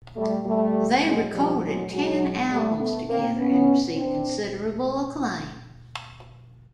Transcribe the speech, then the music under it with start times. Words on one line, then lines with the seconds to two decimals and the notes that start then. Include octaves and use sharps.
They recorded ten albums together and received considerable acclaim.
0.16 G3 A3
0.45 G3 A3
1.04 F#3 G#3
1.32 F3 G3
1.62 F#3 G#3
1.91 F#3 G#3
2.49 G3 A3
2.79 A3 B3
3.07 A#3 C4
3.37 B3 C#4
3.95 C4 D4